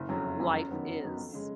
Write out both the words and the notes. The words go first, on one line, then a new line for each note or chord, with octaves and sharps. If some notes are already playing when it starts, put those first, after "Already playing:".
life is
Already playing: F#1
F2 C#3 F#3
F#1
F2 C#3 F#3
F#2
D#3 F#3 B3
F#2
D#3 F#3 B3
F2
C#3 G#3